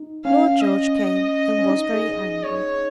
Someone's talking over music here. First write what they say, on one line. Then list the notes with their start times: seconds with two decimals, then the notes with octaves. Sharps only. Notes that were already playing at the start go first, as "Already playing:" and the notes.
Lord George came and was very angry.
Already playing: D#4
0.24 C#4 F5
0.61 D#5
1.59 C#4
1.69 D#4
1.93 G#4
2.43 C#5